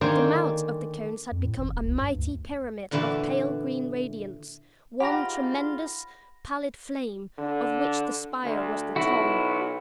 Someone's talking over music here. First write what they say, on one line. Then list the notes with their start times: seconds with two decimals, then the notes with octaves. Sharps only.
The mount of the cones had become a mighty pyramid of pale green radiance--one tremendous, pallid flame, of which the spire was the tongue.
0.01 D3 D#3 A#3 C5 G5 G#5
1.31 F2
1.43 A2
1.57 G#1
1.74 D#1
1.85 C#2
2.00 G2
2.17 D2
2.91 A#2 D3 E3 E4 F#4 B4
5.00 G#2 F4 G4 F#5 A#5 B5 A#6
7.38 D3
8.44 D2
8.96 B1 E4 F#4